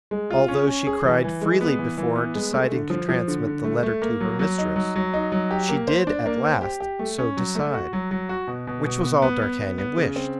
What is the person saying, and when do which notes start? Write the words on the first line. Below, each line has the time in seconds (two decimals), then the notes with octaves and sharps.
Although she cried freely before deciding to transmit the letter to her mistress, she did at last so decide, which was all d'Artagnan wished.
0.11 G#3
0.30 F4
0.48 C#4
0.67 C#4
0.87 G#4
1.05 E3
1.24 E3
1.41 G#3
1.61 B3
1.79 E3
1.98 E3
2.16 B3
2.35 G#3
2.53 A3
2.72 D3
2.90 F3
3.09 F3
3.28 D3
3.47 D3
3.64 A3
3.83 A3
4.02 A#3
4.20 F#3
4.39 F#3
4.58 D#4
4.76 F#3
4.96 F#3
5.14 D#4
5.32 F#3
5.51 G4
5.69 A#3
5.88 C5
6.07 D4
6.26 A#3
6.44 C5
6.62 G4
6.80 G4
6.99 A3
7.18 C#4
7.37 F#3
7.55 A3
7.74 F#4
7.93 F#3
8.11 F#3
8.29 F#4
8.47 B2
8.67 B2
8.85 B2
9.04 B3
9.22 B3
9.42 B3
9.60 B3
9.78 B3
9.97 C#3
10.16 C4